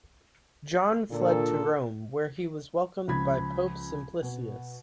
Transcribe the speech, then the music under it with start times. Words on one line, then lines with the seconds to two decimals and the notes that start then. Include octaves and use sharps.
John fled to Rome, where he was welcomed by Pope Simplicius.
1.11 A#2 D3 D4 A4
3.08 C#2 F3 B5 G#6
4.23 B2